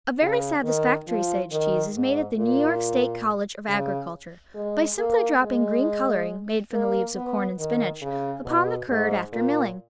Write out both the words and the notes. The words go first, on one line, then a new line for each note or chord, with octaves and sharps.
A very satisfactory Sage cheese is made at the New York State College of Agriculture by simply dropping green coloring, made from the leaves of corn and spinach, upon the curd, after milling.
C#3
D#3
F3
D#3
G#2
A#2
C#3
G#3
A#3
G#3
A#3
B3
D#3
C#3
B2
G#2
A#2